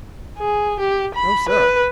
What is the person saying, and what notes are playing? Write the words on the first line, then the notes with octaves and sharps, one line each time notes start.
"No, sir."
G#4
G4
B5
B4